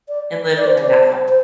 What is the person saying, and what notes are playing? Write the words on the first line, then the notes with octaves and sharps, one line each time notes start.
and live in the now,
D5
D5
C5
D5
C5
C5